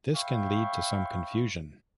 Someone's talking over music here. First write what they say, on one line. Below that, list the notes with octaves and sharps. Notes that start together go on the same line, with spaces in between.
This can lead to some confusion.
C#5 E5 F5 G5 B5 C#6